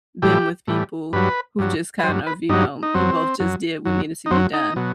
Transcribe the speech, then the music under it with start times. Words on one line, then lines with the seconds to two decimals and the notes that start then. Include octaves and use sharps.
been with people who just kind of, you know, you both just did what needed to be done?
0.22 A2 E3 G3 G4
0.67 A2 E3 G3
1.13 G2 F#3 B4
1.59 G2 F#3
1.99 B4
2.03 F#3 C5
2.08 G2
2.27 B4
2.49 G2 F#3 D#4
2.83 D#4
2.94 F#2 F#3 C4
3.40 F#2 F#3
3.85 F#2 F#3
4.26 D#4
4.31 F#2 F#3 C4
4.53 D#4
4.76 B2 F#3